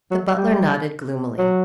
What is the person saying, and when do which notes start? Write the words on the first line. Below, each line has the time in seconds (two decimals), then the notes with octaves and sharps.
The butler nodded gloomily.
0.11 F#3
0.37 G3
1.38 F#3